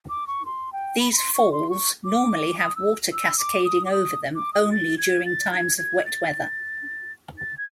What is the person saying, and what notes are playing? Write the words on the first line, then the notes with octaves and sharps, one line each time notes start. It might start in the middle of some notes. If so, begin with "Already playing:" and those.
These falls normally have water cascading over them only during times of wet weather.
D6
C#6
C6
G5
B5
B5
C6
C#6
C6
C#6
D6
D#6
E6
E6
D6
D#6
D6
D#6
D6
D#6
A6
G#6
A6
G#6
G#6
A6
A6
G#6